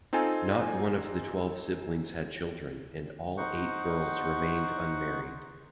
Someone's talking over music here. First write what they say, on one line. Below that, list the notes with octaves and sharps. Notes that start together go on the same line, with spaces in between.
Not one of the twelve siblings had children, and all eight girls remained unmarried.
C4 D#4 F4 A4 G#5
D#4 C5 F#5 C#6